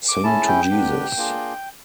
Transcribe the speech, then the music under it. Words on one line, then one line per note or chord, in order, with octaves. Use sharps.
Sing to Jesus!
D6
C#4 E4 G#4 A5
G5
B3 D4 G4
A#3 D4 F4 G#4